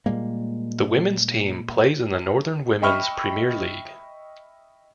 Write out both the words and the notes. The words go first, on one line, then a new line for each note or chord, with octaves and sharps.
The women's team plays in the Northern Women's Premier League.
A#2 G3 G#3 A#3
D#5 E5 G5 B5 C#6 F6